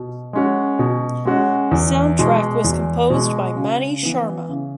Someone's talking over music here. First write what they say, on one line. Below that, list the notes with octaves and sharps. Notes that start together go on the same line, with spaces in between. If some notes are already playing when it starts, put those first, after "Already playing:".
Soundtrack was composed by Mani Sharma.
Already playing: B2
G#3 C#4 F#4
B2
G#3 C#4 F#4
E2
B2 G#3
E2
B2 G#3
C#3
E3 B3
C#3